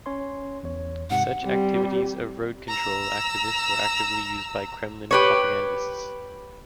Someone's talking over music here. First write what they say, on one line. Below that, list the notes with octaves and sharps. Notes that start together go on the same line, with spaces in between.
Such activities of Road Control activists were actively used by Kremlin propagandists.
C#4 C#5 C6
E2 C#5
G#2 C3 F#5
G3 C4
A#5 E6
G4 B4 C#5